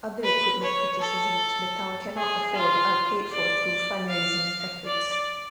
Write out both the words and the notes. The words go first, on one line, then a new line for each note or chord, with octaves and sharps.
Other equipment purchases which the town cannot afford are paid for through fundraising efforts.
B4
C#5
A4
G#4
F4
D5
F5
D5